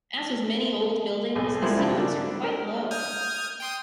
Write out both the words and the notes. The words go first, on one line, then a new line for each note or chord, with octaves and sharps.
As with many old buildings, the ceilings are quite low.
B1 G#4
F3 G3 G#3 A#3 C4 E4
G2 C#3
A#3 D4 A4
A#4
D#6 F6 G6 G#6
G5 C6 D#6